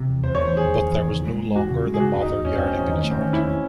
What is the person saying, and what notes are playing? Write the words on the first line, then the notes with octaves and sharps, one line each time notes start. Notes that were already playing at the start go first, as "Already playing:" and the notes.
But there was no longer the mother yearning in his heart.
Already playing: C3
E2
E2 C5
C#5
E2
C5
D#3 G#4
E2
E2
D#3
C#3
G#3
G#3
E2 F#4
C#3
G#3
G#4
C#3 F#4
E2
D#4
E2
E2 C#4
C4
E2
C#4
E2 D#4
D#3 D#4
C#4
A3
C4
D#3 C#4
E2 E4
C#4